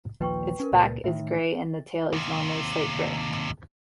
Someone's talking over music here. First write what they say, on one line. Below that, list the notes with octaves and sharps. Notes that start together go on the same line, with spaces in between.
Its back is gray and the tail is normally slate-gray.
A#1 D#2 F3 B4 G5 C#6
C#4 A#4 B4
C#2 A#2
A2 D#3 E5
D#2 C3